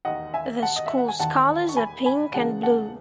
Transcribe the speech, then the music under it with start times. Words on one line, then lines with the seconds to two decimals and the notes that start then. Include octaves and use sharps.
The schools colors are pink and blue.
0.05 E1 D#2 D#3 D#5 F#5
0.34 E5 G#5
0.62 F#5 A5
0.76 D#5
0.86 E5
0.97 F#5
1.08 G#5
1.20 E1 D#2 D#3 F#5 A5
1.69 C#6
1.77 G#5 B5
2.06 G#5 B5
2.34 E1 E2 C#3 G#3 F#5 A5
2.63 F#5 A5